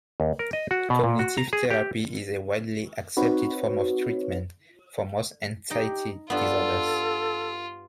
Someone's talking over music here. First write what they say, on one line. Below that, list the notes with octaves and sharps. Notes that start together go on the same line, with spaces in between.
Cognitive therapy is a widely accepted form of treatment for most anxiety disorders.
D#2
A#4
D#5
F#4
B2
A#2
F#4
A#5
G#4
G4
C4 D#4 F#4 B4 C#5
D#4 G4 G5
G2 B3 F4 A4